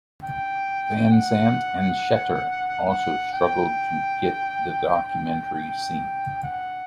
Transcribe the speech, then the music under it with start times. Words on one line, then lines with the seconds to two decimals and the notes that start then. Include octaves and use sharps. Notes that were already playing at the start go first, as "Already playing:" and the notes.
Van Zandt and Schechter also struggled to get the documentary seen.
0.23 G5
1.12 F#5
2.89 F#5
3.33 G5
5.55 G5
6.44 F#5